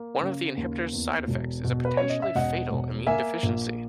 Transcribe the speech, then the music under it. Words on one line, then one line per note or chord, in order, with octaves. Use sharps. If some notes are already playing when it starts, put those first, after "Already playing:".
One of the inhibitor's side effects is a potentially fatal immune deficiency.
Already playing: A#3
C#3
D#2
E2
E1
B2
B4
C#4 C#5
D#5
E5
E1 D#5 F#5
E1
A#3 E5 G#5
A#1